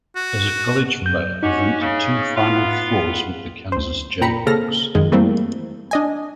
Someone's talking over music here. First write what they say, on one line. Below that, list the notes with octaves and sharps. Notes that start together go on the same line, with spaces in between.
As a college player, he went to two Final Fours with the Kansas Jayhawks.
F#4
F#2 G6
C#4 D#4 F#4 G4
C#3
B3 F4
D2 C5
A#2 G5 A#5 B5 C#7
C#3 A#3 C4 A4 F6 A#6
F#2 D#3 F3 G#3
E3 G3 A3 A#3 C4
D4 D#5 G#5